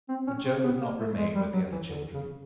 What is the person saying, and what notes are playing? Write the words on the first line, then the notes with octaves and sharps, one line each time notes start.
But Joe would not remain with the other children.
C4
C#4
C4
B3
A#3
A3
G#3
G3
F#3
E3
D3
C#3